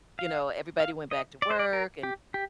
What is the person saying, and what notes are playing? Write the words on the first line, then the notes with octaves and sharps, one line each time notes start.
you know, everybody went back to work, and,
F5
F5
D#5
D5
C5
D5
A#4
G4
G4